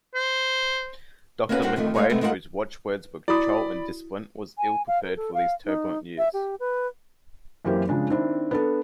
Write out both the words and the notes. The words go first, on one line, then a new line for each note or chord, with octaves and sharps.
Doctor McQuaid, whose watchwords were control and discipline, was ill-prepared for these turbulent years.
C5
A#3 B3 C#4 F#4 G#4 B4
G3 D4 F#4 A#4 C5 F#5
F2 D3 D#3 A3
G#3 A3 F#4 A#4 C#5 F5
C3 G#3 A3 B3
G#3 A3 F4 A#4 C#5 F#5
E4 F#4 D5 B5 D#6
G#5
F5
A#4
A4
F5
D#4
E5
G4
B4
F#2 E3 A#3 C4 G4
C#3 F3 G#3 D4
D#3 C4 D4 E4
B3 D4 A4